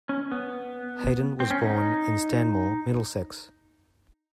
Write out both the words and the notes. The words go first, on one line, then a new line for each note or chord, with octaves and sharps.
Hayden was born in Stanmore, Middlesex.
C#4
B3
C4
C#4
D#4